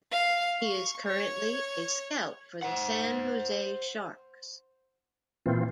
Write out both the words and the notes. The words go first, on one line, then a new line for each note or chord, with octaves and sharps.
He is currently a scout for the San Jose Sharks.
F5
C#6
C#5
C5 F#5
A#2 E3 C4 F4